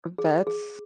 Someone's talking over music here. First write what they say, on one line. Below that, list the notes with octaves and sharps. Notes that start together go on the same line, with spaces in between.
Um, vets?
G#4
G#4